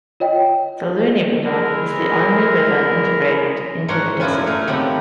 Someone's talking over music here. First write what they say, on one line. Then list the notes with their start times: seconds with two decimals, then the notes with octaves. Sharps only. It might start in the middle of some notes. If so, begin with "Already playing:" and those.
The Luni River is the only river integrated into the desert.
0.20 F4 C#5 D#5 G5
1.45 E3 G#3 A#4
3.88 G#2 D4 A#4 C#5 F#5 C6
4.20 F#2 D4 E4 F4 G#5
4.46 A3 F5 G#5 A#5
4.67 C3 D#3 F3 F#3 B3